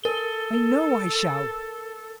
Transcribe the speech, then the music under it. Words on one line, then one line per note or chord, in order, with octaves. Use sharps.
I know I shall!
A4 A#4 G7